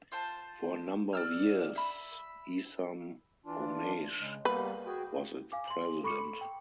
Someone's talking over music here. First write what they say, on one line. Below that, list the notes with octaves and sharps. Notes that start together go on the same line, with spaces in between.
For a number of years, Esam Omeish was its President.
F4 C5 A5
D5 E6 F6
E5 B5
E3 D4 F4
C#3 G#3
G3 A#3 B3 B4
F#4 G#4 G5
F5 G#5 D6
C6 F#7
A4 B5 C#6 D6 C#7
B5
G5